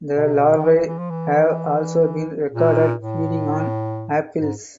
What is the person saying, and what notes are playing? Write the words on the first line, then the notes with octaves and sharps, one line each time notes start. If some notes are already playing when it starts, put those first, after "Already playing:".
The larvae have also been recorded feeding on apples.
B2
C3
B2
D#3
E3
E3
E3
F3
E3
A#2
A2
G#2